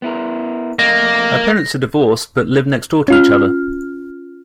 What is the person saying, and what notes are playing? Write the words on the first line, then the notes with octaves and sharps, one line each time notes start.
Her parents are divorced but live next door to each other.
B3 E4 A#4
F2 A3 A#3 D#5 A#6
C#4 F4 F6